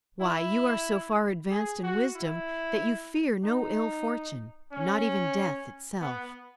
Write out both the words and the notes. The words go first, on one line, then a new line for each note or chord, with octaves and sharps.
Why, you are so far advanced in wisdom that you fear no ill-fortune, not even death itself.
E4
G#4
F#4
E4
D#4
C#4
B3